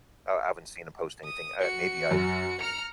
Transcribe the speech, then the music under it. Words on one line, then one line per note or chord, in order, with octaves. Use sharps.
uh, I haven't seen him post anything, uh, maybe I
D#6
F#4 C#7
F#2
A#5 F6 C#7